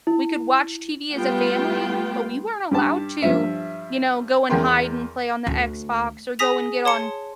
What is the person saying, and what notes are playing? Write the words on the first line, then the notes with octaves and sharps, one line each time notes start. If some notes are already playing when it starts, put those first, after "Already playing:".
we could watch TV as a family, but we weren't allowed to, you know, go and hide and play on the Xbox, or go and get on
E4
G3 A3 B3 F4 G5
G2 G4 A5
G2 F3 E5
E2 A#4 G5 C6
D2
G#4 G#5 D#6 A#6 B6 F7
C#5 A5 C6 C#7